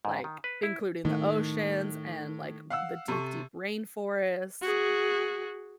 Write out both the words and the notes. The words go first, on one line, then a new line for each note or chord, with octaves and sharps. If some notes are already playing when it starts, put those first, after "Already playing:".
like, including the oceans and, like, the deep, deep rainforest,
G#2
D#3
B4
E4
A2 D#3
F5 F#5 E6
C3 A4 C#6
F#4 G#4